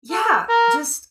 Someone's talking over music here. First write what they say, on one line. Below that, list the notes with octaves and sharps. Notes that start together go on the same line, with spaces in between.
yeah, just
A4
A#4